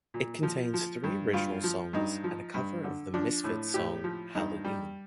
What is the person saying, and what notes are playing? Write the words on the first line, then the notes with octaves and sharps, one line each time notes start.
It contains three original songs and a cover of the Misfits song "Halloween".
A#2
F3
F3
G2
G2 F4
F3
G2 D#4
F3
G2
D3
F3 D4
A2
A2 G4
F3
G2 D#4
G3